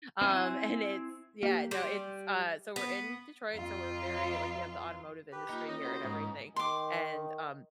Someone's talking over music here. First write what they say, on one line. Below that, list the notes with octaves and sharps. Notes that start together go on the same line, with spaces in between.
um, and it's yeah, no, it's, uh, so we're in Detroit, so we're very like, we have the automotive industry here and everything, and, um,
C4 E4 G#5
A#3 G4
G3 C6
B3
F2 F4
G4 B4
A#3 D#4 F4
C#4 A4 C#5 D#5
E4 F#4 A#4 C5
G#2 B3 D#4
D#3 C6 D6